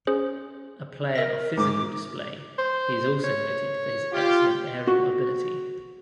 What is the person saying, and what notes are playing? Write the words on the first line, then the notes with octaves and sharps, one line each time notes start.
A player of physical display, he is also noted for his excellent aerial ability.
C#4 G#4 C5
A#4 E5 A#6
G#2 D6
C5
C#5
F4 G4
F#4